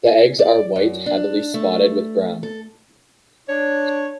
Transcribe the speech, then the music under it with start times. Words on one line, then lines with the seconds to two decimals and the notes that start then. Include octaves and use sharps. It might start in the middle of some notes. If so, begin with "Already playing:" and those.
The eggs are white heavily spotted with brown.
0.06 G#5
0.39 D5
0.76 F#2
1.06 D4
1.54 A3
2.43 A4
3.49 D4 C#5